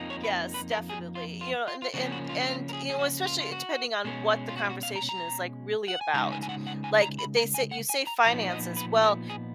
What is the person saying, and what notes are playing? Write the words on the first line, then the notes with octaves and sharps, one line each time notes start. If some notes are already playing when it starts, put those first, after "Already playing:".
Yes, definitely, you know. And the nth and, you know, especially, eh depending on what the conversation is like really about, like eh they say you say finances. Well,
Already playing: F2 F3 A#3 D#4
C#5
B4
B4
A#4
G#4
F4
F4
F4
F4
C#3 F3 A#3 C#4 F#4
F#4
F4
F#4
F4
A#4
G#4
G#4
F#4
F4
F4
F#4
B2 G#3 C#4
F4
F#4
F4
F#4
F5
A#5
A#5
F#5
G#5
C#3 G#3 D#4 A#5
G#5
G#5
F#5
F#5
G#5
A#5
B5
A#5
G#5
F#5
G#5
A#5
A#2 F3 B3 D#4 A#5
D#5
B4
A#4
G#4